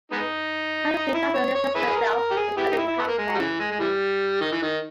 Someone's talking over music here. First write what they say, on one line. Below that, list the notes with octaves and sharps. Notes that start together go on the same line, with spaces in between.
The town is named after Leicester Phelps, an early inhabitant.
G#3 B3 D#4
E4
C#5
C#5
E4 G#4 B4
G#4
A#4
A#4
G4
G#4
B3 E4 G4
D#4
E4
E4
B3
A#3
G#3
G3
C#3 E3
G#3
G#3
E3 G3
D#3
E3
D#3